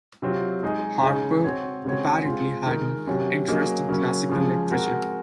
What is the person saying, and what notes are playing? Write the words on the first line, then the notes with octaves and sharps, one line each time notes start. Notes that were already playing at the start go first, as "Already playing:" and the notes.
Harpur apparently had an interest in classical literature.
C3 F#3 C4 F4
G#3 D#4 G#4 D#5
C#3 G#3 D#4 G#4
C4 F#4 C#5
C#3 G#3 C4 F#4 C#5
G#3 C4 F4
D#3 G#3 D#4 A#4
C3 F#3 C#4
F#3 A#3 C#4 G#4 D#5
C#3 F#3 A#3 C#4
C#3 F3 G#3
G#3 C4 F#4 A#4